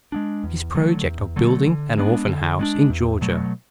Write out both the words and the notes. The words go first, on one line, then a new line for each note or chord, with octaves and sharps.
His Project of building an Orphan House in Georgia.
G#3 B3 D4
E2
D3 F#3 A3
E2
D3 F#3 A3
D3
G#3 B3 D4
D3
G#3 B3 D4
E2
B2 F#3 A3